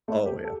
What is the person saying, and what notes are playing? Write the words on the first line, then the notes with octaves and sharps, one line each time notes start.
Oh, yeah.
A3
G4
A4